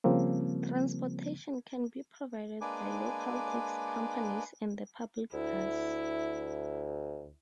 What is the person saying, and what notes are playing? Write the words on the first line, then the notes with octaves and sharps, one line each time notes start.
Transportation can be provided by local taxi companies and the public bus.
C#3 F3 G3 A#3 C4
G#3 A#3 D4 B4 G#5 D6
D2 E4